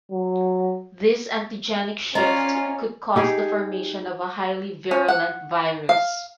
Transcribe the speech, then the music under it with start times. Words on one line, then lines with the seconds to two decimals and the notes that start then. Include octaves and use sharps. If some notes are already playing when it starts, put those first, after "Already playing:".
This antigenic shift could cause the formation of a highly virulent virus.
0.11 F#3
2.15 C#4 F4 D5 D#5 A#5
3.16 D#4 G4 G#4
4.91 C#4
5.08 F#5
5.89 F5